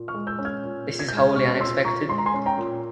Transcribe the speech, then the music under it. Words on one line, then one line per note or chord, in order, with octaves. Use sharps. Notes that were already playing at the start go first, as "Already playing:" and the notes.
This is wholly unexpected.
Already playing: A#2
C#6 F6
G#3
E6 G6
C#4
F6 G#6
A#2
A#2
G#6
G6
G#3 F6 G#6
C#4 C#6 F6
A#2 C6 E6
A#2 A#5 C#6
G#3 C6
A#5
G#5 C6
C#4
G5 A#5
A#2